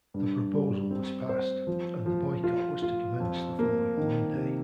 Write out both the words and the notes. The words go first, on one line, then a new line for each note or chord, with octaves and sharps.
The proposal was passed, and the boycott was to commence the following Monday.
G2
G3
C4
C5
F3
F3
F4
F4
F2
A#3
D#3
C3